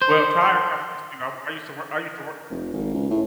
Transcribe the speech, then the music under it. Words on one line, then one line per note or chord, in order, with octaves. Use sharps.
Well, tire companies, you know I used to work I used to work
C5
F1
G#1
C#2
A2